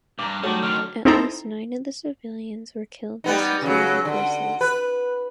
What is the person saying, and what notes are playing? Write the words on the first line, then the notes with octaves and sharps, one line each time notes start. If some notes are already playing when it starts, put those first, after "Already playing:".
At least nine of the civilians were killed by security forces.
G2 A#5 D6
F#3 G3 A3 D#4
D3 D#3 F6
C4 D#4 E4 A4 C5 A#5
G3 B3 D#4
C#3 F#3
D3
B4